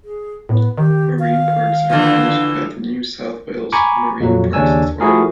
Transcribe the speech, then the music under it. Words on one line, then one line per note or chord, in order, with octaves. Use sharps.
Marine Parks are managed by the New South Wales Marine Parks Authority.
G#4
A2 B3
D#3 G4
F5
D3 E3 F3
G#5 A#5 B5 C#6 D6
F2 A#2 F#3
D#2 C#3 D4 C#5 G#5 E6
F3 A3 E4 F#4 G#4 A#4